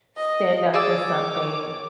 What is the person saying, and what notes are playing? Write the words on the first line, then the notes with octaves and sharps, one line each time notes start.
stand up for something,
D#5
G#4 C#5 D5 D6 E6